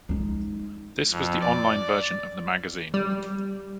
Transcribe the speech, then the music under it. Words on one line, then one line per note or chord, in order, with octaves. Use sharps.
This was the online version of the magazine.
G#3 D#4
F2
D5
G3